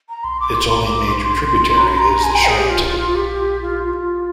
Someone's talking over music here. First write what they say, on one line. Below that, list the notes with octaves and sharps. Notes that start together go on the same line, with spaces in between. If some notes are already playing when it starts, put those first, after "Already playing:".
Its only major tributary is the Charentonne.
A#5
C6
D6
C6
A#5
D6
C6
C6
C6
A#5
C6
A#5
G#5
G5
G#4
G4
F4
F4
F4
G4
F4
F4